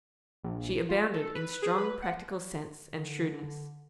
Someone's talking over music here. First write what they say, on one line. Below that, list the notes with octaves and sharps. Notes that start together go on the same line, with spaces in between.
She abounded in strong practical sense and shrewdness.
A#1
F4
A4
B4
G#4
B4
F#5
D3